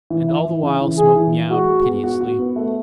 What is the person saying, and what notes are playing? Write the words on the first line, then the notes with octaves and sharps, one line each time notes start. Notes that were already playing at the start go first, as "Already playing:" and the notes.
And all the while Smoke meowed piteously.
E3
E4
E3
C#3
E3
E3 G#4
E3
E3
G#3 F#4
G#3
B3
F#4
F#4
B3
A3